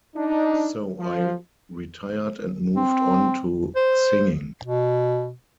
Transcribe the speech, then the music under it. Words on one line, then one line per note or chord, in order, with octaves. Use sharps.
So I retired and moved on to singing.
D4 D#4
F3
C4
C5
B2